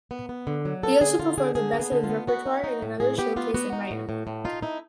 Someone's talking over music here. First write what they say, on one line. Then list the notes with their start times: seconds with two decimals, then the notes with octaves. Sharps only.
He also performed the best of his repertoire in another showcase in Miami.
0.11 B3
0.29 B3
0.47 D3
0.65 F#3
0.83 B3 A4
1.01 D3 G#4
1.19 D3 F4
1.38 D3 G#4
1.55 D3 G#4
1.73 B3
1.80 G#4
1.92 D3
2.04 F4
2.09 B3
2.27 B3 F#4
2.46 D#4
2.64 D#4
2.82 A2
3.00 A2 G#4
3.18 B3 G4
3.36 B3 F4
3.54 B3 F#4
3.73 D#4
3.91 A2
4.09 A2
4.27 A2
4.45 D#4 F4
4.62 D#4 E4